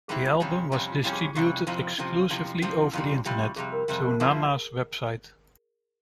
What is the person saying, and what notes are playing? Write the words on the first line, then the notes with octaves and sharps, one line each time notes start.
The album was distributed exclusively over the Internet, through Nana's website.
G#2 G3 C4 E4 G#4
F4
F2 C3 G3 C#4
F2 C3 G3 C#4
F4
F2 C3 G3 C#4 E4
G#4
G4
F2 C3 G3 C#4 G4
G4
F4
F2 C3 F3 E4
F2 C3 F3 C#4
F2 C3 F3 E4
E4
F2 C3 F3 C#4
E4
F2 C3 G3 E4
E4
F2 C3 G3 F4
G4
F2 C3 G3 G#4
A#4
F2 C3 G3
A#4
G2 F3 A#3 E4 G#4